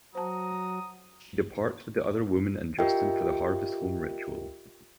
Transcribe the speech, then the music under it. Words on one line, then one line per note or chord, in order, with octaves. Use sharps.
She departs with the other women and Justin for the Harvest Home ritual.
F#3 F#4 C5 A5 A#5 D#6
F4 G4 A#4 D#5 E5 G5